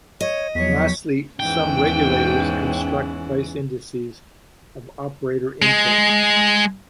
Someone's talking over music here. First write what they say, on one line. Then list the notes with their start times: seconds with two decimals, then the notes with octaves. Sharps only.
Lastly, some regulators construct price indices of operator inputs.
0.21 C#5 D#5
0.55 E2 F3 F#3 C#5 B6
1.40 E2 G#2 E3 C#4 G5
5.62 G#3